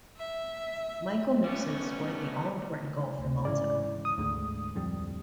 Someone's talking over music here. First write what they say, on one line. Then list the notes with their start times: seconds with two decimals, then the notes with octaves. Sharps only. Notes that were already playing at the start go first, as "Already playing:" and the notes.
Michael Mifsud scored the all important goal for Malta.
0.17 E5
1.44 G3 A3 B3 C#4
3.18 D2
3.45 G#2 C#3 E3 D5
4.05 D#6
4.18 D2 G#2 D3
4.75 D1 F2 G3